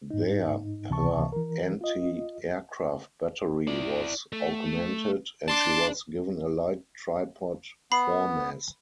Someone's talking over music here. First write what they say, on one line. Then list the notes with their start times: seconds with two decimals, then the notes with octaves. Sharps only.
There her antiaircraft battery was augmented, and she was given a light tripod foremast.
0.11 G#2 D#4
0.90 C#2 C3 E3 A5 C#6
1.32 E3 A#4
1.81 F4 D#5
3.68 E4 D5
4.33 A3
5.48 D4 A5 C6 D6
7.92 B3 B5 C7